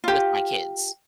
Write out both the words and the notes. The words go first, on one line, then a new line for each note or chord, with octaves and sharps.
with my kids."
F4 G4